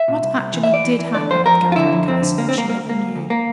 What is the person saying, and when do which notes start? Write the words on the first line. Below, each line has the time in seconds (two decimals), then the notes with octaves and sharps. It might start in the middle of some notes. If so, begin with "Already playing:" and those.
What actually did happen at Gatherum Castle, she never knew.
Already playing: E5
0.08 A#2
0.23 C2
0.38 C2
0.53 E3
0.63 E5
0.69 E2 D5
0.84 E3
0.99 E3
1.14 D3 D5
1.30 F2 C5
1.46 F2 A#4
1.62 F2
1.72 F4
1.76 D3 E4
1.92 F2
2.08 F2 C4
2.22 D3
2.38 D2 A#3
2.49 C4
2.53 D2 A#3
2.69 D2 A#3
2.85 D2 A#3
3.00 D2
3.15 D2
3.30 A#3